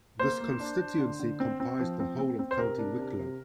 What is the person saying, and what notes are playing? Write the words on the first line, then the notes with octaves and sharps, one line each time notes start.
This constituency comprised the whole of County Wicklow.
A#3 C5
A#3
D4
D4
D3
D3
C4
C4
F3
C4
C4
C4
C5
C3 A#4
D4
C3
C3